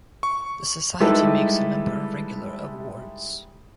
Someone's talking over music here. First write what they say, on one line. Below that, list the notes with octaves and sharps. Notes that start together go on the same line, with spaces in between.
The society makes a number of regular awards.
C#6
G3 G#3 D#4 E4 A4 B4